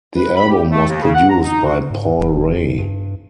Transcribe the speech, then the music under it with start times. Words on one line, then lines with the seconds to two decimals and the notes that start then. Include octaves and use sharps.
The album was produced by Paul Ray.
0.16 B4
0.36 B5
0.49 G4
0.71 A3
0.89 D#2
1.02 C#3
1.15 F#5
1.30 A#5
1.44 D#4
1.65 F#4
1.90 G#2
2.19 D#1
2.78 G2